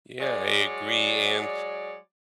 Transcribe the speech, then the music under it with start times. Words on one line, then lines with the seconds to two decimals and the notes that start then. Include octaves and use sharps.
Yeah, I agree, and
0.20 F#3 G#3 C#5 D5